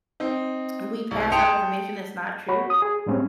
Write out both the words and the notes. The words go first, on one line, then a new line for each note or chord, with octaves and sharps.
We pass out information that's not true,
C4 D#4
C2
G5 A5 C6 D#6 C#7 F7
F#4 C#5 B5
D#6
G#4
A2 G3 G#3 C4 C#4